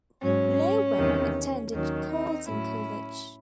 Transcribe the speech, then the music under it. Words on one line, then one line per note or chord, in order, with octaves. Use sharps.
Loewen attended Carleton College.
G#2 F#3 C#4
E2 C3 D#3
D#2 D#3 F#3 C#4
C4 D#4
A2 F#3 C#4 E4